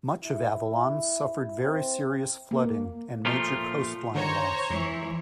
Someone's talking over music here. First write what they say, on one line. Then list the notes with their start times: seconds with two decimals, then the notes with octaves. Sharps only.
Much of Avalon suffered very serious flooding and major coastline loss.
0.24 E4
1.60 C4
2.51 A#3
3.26 A#2 F3 A3 F4
4.15 D3 D#3 D4 C5 C#5 A#5
4.70 F2 E3